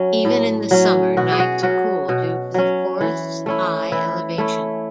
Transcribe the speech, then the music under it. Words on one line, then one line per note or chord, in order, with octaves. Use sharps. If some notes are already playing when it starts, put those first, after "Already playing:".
Even in the summer, nights are cool due to the forest's high elevation.
Already playing: F#3 C#4
A2
F#3 C#4
B2 F#4
G#4
F#4
F#3 C#4 F#4
B2 F#4
F#3 C#4
E3
A3 C#4 E4
E3 E4
A3 C#4 E4